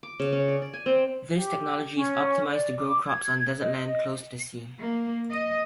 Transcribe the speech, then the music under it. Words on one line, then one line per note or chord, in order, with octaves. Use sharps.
This technology is optimized to grow crops on desert land close to the sea.
D6
C#3
C#4
D5
D5
G#5
C4
G4
C#4
D5
D6
G#6
D#5
A#3
D#5